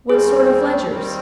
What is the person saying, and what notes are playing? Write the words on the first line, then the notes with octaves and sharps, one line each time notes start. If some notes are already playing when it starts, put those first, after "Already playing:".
"What sort of ledgers?"
D#2 D#3 G3 C4 G#4
D#2 D#3 G3 C4